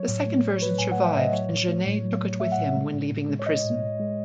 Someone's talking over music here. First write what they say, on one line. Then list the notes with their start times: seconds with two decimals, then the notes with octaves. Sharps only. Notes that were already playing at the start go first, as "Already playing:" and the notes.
The second version survived and Genet took it with him when leaving the prison.
Already playing: F#3 C#5
0.08 A2
0.26 A3
0.44 A2
0.56 C#5
0.62 F#3 B4
0.78 A2 G#5
0.91 F#5
0.97 A3
1.06 E5
1.15 A2 D#5
1.32 F#3 C#5
1.51 A2
1.68 A3
1.86 A2
2.04 F#3
2.22 A2
2.40 A3 E5
2.52 F#5
2.58 A2
2.76 G#3
2.94 A2
3.11 A2
3.29 G#3
3.39 C#5
3.46 G#3 D#5
3.65 A2
3.82 A2
4.00 G#3